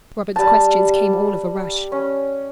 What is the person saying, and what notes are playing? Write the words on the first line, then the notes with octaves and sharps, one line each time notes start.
Robin's questions came all of a rush.
G3 A5
C#4